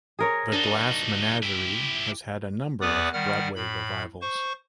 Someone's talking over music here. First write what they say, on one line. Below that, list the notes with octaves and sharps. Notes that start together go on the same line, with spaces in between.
"The Glass Menagerie" has had a number of Broadway revivals.
G#4 A#4 C#5
D4 D#4 F#4
E4 G4
E2 B3 B4 D5 D6 D#6
D#3 G3 F#5 F6
A2 B5
C5 C#6